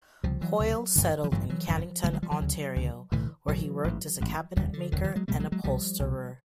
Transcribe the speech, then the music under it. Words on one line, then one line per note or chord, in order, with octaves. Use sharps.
Hoyle settled in Cannington, Ontario, where he worked as a cabinet maker and upholsterer.
C#2 C3 F3 G3
E3 F#3
C#2 C3
A1 G2 D3
F3
A1 G2 D3 E3 F#3
E3 F#3
G#1 F#2 D3 F3
G#1 F#2 D3 G3 A3
F#3 G#3
F3 G3
E3 F#3
D2 C#3
D2 C#3
B1 A2 D3 E3
B1 A2 E3 F#3
A1 G#2
A1 G#2
F1 D#2 D3 G3
D3
F1 D#2 D3 D#3
F#3
D#3 F3
F#3 G#3
C2 B2 G3 A3
F#3 G#3
F#3 G#3
C2 B2 F3 G3
C2 B2